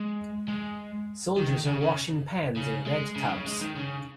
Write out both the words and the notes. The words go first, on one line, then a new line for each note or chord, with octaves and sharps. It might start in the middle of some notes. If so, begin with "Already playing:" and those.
Soldiers are washing pans in red tubs.
Already playing: G#3
G#3
D#3
C#3
C#3
C#3
G#3
C#3
D#3
C#3
G#3
D#3
C#3